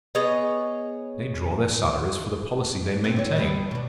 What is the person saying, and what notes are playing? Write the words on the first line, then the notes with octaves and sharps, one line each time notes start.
They draw their salaries for the policy they maintain.
B3 G#4 C#5 D#5
C4
D3 C#5
G2 G3 B3
B2 D4